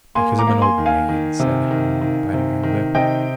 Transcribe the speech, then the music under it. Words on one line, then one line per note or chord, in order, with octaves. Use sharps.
"Because I'm an old maid," said Helen, biting her lip.
A#3 G#5 C6
A#5 D6
A#3
G#5 C6
D#3
F5 G#5
D#3
C3
D#3
D#3
C3
D#3
C3 D#5 G5